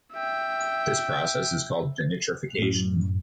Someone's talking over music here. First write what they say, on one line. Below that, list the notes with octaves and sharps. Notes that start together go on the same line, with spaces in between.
This process is called denitrification.
E5 G5
F#2 A2